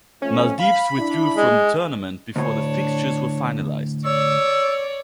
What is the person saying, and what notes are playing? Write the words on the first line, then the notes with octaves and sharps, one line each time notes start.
Maldives withdrew from the tournament before the fixtures were finalised.
F2 A3 C#4
F5 B5
D4 E4
G#3
D2 A2 D4 C#5
C#5 D5 E6